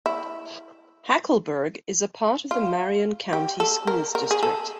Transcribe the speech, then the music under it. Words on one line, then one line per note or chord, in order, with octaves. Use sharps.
Hackleburg is a part of the Marion County Schools district.
E4
F4
G4
A4
A#4
A#4
G#4
A4